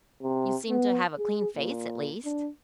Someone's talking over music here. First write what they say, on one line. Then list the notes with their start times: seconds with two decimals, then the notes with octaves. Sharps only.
"You seem to have a clean face, at least."
0.22 C3
0.69 B3
1.18 G#4
1.57 A#2
2.25 D4